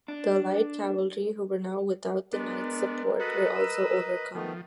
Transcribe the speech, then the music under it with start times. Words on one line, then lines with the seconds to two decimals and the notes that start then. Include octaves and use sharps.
The light cavalry, who were now without the knights' support, were also overcome.
0.08 D4
2.33 G#3 B3 D4 A#4
3.20 F#4 A4 B4 D#5 B5
3.56 E6
4.35 D#3 F3 A3 B3